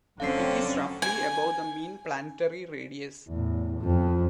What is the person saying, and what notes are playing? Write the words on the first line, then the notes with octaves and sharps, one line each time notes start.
It is roughly above the mean planetary radius.
F1 D3 F#3 C4 C#4 F5 C7
G#5
E2 A2
F2 F3